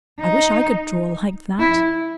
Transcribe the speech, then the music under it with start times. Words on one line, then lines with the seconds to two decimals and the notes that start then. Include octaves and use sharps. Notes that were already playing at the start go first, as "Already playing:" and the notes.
I wish I could draw like that.
0.20 D#4
1.60 E4